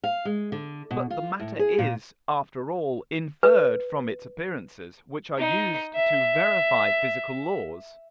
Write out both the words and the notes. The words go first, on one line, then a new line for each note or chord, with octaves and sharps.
But the matter is, after all, inferred from its appearances, which are used to VERIFY physical laws.
F5
G#3
D3
B2
F4
A2
G#4
A#2
B4
D#4
E5